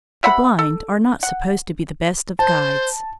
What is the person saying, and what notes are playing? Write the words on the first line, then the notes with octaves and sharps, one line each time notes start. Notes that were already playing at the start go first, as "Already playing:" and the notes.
The blind are not supposed to be the best of guides.
C3 E5 F#5 B5
A4
F#5
C5 A5